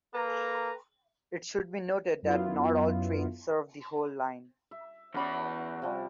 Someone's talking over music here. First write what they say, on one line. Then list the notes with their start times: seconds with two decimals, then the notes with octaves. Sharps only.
It should be noted that not all trains serve the whole line.
0.14 A#3 A4 B4 A#5
2.23 F#2 F#3 B3 E4 F4
4.71 E5
5.14 E2 C#4 F#4 D5 B5
5.82 C3 F3 G3